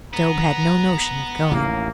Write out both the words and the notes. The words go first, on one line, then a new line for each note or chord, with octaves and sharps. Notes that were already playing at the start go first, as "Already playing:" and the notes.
But Job had no notion of going.
B3 A#5
A1 D#2 A2 A#3